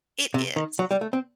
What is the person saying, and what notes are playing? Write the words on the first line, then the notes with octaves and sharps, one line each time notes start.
It is.
C3
D#3
F#3
G3
A3
C4